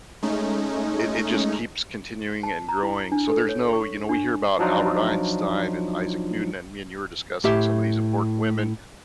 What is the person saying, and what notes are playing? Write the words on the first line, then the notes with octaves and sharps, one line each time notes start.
it it just keeps continuing and growing, so, there's no you know, we hear about Albert Einstein and Isaac Newton, and me and you were discussing some of these important women,
G#3 A3 C#4 D#4
A5
A#5
E4
D4
A4
C#5
C#6
D4
F3 F#3 D4 D#4 F4
A2 G4 E5